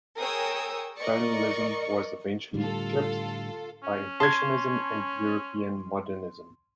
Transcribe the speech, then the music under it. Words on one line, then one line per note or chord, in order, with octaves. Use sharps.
Tonalism was eventually eclipsed by Impressionism and European modernism.
G#4 A#4 C#5 G5 D#6 E6
A#4 D5 D#5 C#6 C#7
A2 D3 G3 F4 A4
C#4
A5 C6 G#6